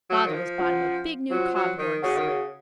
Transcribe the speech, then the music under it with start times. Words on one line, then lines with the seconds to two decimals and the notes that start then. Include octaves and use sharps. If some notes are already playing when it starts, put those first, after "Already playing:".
Father has bought him a big new cob horse.
0.10 F#3
0.27 D#3
0.33 F3
0.58 C#4 F4 C5 F#5
1.30 F#3 C#4 F4 C5 F#5
1.55 F#3
1.78 D#3
2.03 C#3 F#4 C#5 F#5
2.17 D#3
2.26 C#3